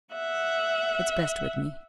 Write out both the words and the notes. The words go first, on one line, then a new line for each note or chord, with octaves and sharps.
"It's best with me."
E5 F#5